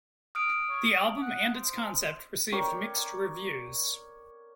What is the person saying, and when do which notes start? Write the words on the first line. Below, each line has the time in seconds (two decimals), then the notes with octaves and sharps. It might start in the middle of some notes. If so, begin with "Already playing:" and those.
The album and its concept received mixed reviews.
0.35 D#6 F6 D7
0.69 C#5
1.21 F#5
1.54 C5
2.52 A#4 C#5 D5 G5